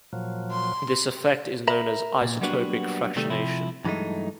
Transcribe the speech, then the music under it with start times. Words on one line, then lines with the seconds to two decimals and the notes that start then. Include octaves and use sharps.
This effect is known as isotopic fractionation.
0.13 A#2 F3 F#3
0.51 C6
1.68 A#4 E5 A#5 B5
2.21 A#2
2.41 F#3 G3 A#3 B3 D4 F#4
3.16 C3 D#3 G3 A3
3.30 C3 F3 E4
3.85 G2 E3 F#3 G#3 A3 D#4